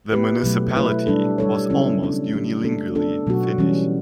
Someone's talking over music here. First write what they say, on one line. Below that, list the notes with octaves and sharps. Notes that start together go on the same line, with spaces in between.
The municipality was almost unilingually Finnish.
B3 E4 G4 B4
B2 F#3 A3
A3 E4 B4
G3 D4 A4
G3 D4 A4 C#5
C#3 F#3 C#4 E4
F#3 B3 D4 A4
F#3 A3 D4 G4
A3 D4 A4
B3 D4 A4
B2 F#3 B3 F#4
E3 G3 C#4